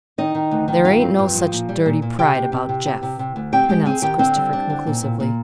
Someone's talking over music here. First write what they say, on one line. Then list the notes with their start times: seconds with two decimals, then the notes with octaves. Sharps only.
"There ain't no such dirty pride about Jeff," pronounced Christopher conclusively.
0.18 D#3 D#4 D#5
0.35 D#3
0.51 D2
0.68 D#3
0.85 G2 F4 F5
1.02 C4
1.19 G2
1.35 F3
1.52 A#2
1.69 G3
1.86 A#2
2.02 A#2
2.19 C3 G4 G5
2.35 C3
2.52 C3
2.69 C3
2.86 C3
3.03 C3
3.19 C3
3.36 D2
3.52 C4 G4 G5
3.69 G#3 G4 G5
3.86 C4 G#4 G#5
4.02 D#3 G4 G5
4.19 D3 C4 C5
4.36 G3
4.53 D4
4.70 D3
4.87 A#2
5.03 A#2
5.20 A#2